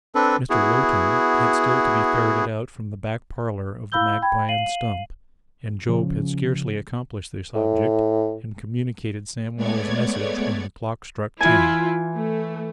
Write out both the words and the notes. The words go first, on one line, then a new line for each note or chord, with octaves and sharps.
Mr. Lowten had still to be ferreted out from the back parlour of the Magpie and Stump; and Job had scarcely accomplished this object, and communicated Sam Weller's message, when the clock struck ten.
C4 D4 A4 B4
B3 E4 F#4 G#4
E4 F5 B5 E6 G6 G7
G5 B5 G#6
F5 C7 D#7 F#7
C#3 F3 C#4
A2
G#3 A3 B3 C#5 D5 G#6
E3 E4 F4 G#5
A3